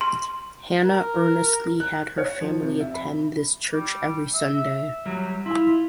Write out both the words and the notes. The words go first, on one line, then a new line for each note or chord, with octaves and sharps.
Hannah earnestly had her family attend this church every Sunday.
C6
A#4
F#6
C#5
F3
C3
E5
B5
G3
E5
F#3 G3
E4 F4